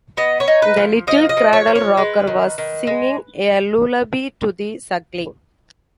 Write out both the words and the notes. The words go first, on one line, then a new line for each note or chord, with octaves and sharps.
The little cradle-rocker was singing a lullaby to the suckling.
B3 D#5
C#5
D#4
B4
F3
F3 D#5
D#5
F3
C#5
F3
C#5
G#3 B4
D#3
D#3
G#3